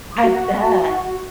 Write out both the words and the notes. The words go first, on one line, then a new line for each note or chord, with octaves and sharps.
I bet.
F#4